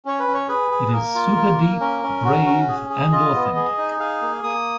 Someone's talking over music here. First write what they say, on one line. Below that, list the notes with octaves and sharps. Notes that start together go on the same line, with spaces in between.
It's super-deep, brave, and authentic.
C#4 C#5
B4
C#4
C#5
G#4 B4
G#4
A#3 A#4
F4
A#3
A#3
C#4 A#4
C#4
F#4
C#4
G#4
G#4
F4 D#5
B3
G#4
D#4
G#4 F5
A#3
A#3 D#6